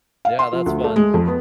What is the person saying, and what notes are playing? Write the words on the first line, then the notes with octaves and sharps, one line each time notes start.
Yeah, that's fun.
F5
C6
F3
D2
A3
G#3
F2
B3